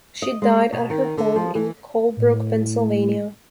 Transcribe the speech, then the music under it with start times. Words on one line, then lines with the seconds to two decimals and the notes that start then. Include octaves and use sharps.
She died at her home in Colebrook, Pennsylvania.
0.22 D#5
0.42 G#3
0.72 B2
0.90 D#3
1.17 D3
1.36 F3
1.55 E3
2.17 A2